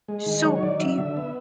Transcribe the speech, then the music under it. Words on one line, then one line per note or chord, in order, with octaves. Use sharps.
So, do you
G#3
D#3
F#3 C#5
C#5
D#3 D5
F#3 E5
D3
B3